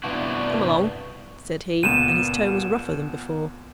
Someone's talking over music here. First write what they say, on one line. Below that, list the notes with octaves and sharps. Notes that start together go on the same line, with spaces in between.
'Come along,' said he, and his tone was rougher than before.
G2 C3 B3 D4 E4 F#4
C#2 A#2 B3 D#7 E7